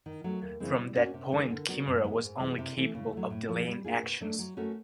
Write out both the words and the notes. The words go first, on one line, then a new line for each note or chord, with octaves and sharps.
From that point, Kimura was only capable of delaying actions.
D#3
F#3 A3 C#4
D#2
C#3 E3 G#3 C4
G3
A#3 C#4 F#4
C3
D#3 G#3
D3
F#3 B3 D4 F#4
G2
D#3 G#3 B3
G#2
E3 G#3
C3
E3 A3
C#3
F#3 A3
A2
F3 G#3
G3
A#3 D4 F4 G#4
B2
F#3 A3 D4
F#3
A3 C#4 F#4 A#4